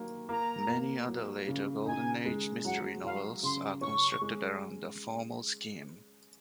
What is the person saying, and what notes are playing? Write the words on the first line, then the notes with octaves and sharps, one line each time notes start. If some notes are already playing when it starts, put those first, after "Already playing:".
Many other later Golden Age mystery novels are constructed around a formal scheme.
Already playing: D#3 F#3 A#3
A#3 A#5
A#3
F#3
C#3
D#4 G#5
G#3
F#3 F#5
F#3 F5
C#3 C6
C#4 C#6
G#3